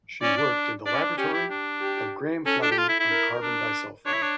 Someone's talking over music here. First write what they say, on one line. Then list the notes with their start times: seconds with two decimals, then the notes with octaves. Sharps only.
She worked in the laboratory of Graham Fleming on carbon disulfide.
0.22 C#4 D5
0.38 D4
0.86 D4 D5
0.95 C#4
1.03 D4
1.18 C#4 G4
1.33 E4
1.50 D4
1.82 G4
2.46 C#4 A4
2.62 D4
2.71 G4
2.78 F4
2.89 E4
2.99 E4
3.10 A#4
3.42 D4
4.06 D4 C#5
4.13 E4
4.22 D4